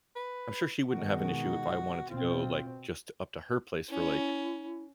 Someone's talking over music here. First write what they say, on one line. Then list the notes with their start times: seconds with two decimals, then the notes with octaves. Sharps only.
I'm sure she wouldn't have an issue if I wanted to go, like, just up to her place for, like,
0.16 B4
0.90 B2 D#3 G#3 F#4
2.10 B2 C4 F4
3.89 C#4 E4